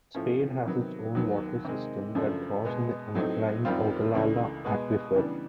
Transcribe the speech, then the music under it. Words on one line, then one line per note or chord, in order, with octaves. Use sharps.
Spade has its own water system that draws on the underlying Ogallala Aquifer.
A2 F3 A3 C#4
C3 D#3 F#3 B3
D#2 D#3 F#3 B3
C3 D#3 G#3
F#2 C#3 F3 A3 D4
B2 G#3 B3
A2 F#3 A3 C4 D#4
F#2 D#3 G3 C4 F4
C#2 C#3 E3 A3 D4
B2 G#3 B3
C#3 E3 G3 B3 D4